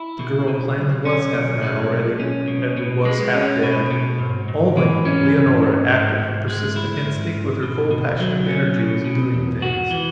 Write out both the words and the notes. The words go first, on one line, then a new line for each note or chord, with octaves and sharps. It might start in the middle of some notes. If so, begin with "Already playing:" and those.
The girl, plainly, was half-mad already; Edward was half dead; only Leonora, active, persistent, instinct with her cold passion of energy, was "doing things".
Already playing: E4
B2
B2
B1
C#4
B2
G#3
B1
C#4
B2
B2
G#3
C#4
B2
B2
G#2
G#2
E3
C#4
G#2
G#2
G#2
G#2
G#3
E4
G#2
G#2
B2
B2
F#3
C#4
B2
B2
E2
F#4
E3